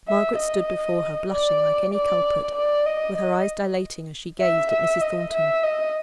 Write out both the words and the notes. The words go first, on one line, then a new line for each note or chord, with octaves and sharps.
Margaret stood before her, blushing like any culprit, with her eyes dilating as she gazed at Mrs. Thornton.
E5
D#5
D5
D5
D5
D#5
D#5
E5
E5
D#5
E5
D#5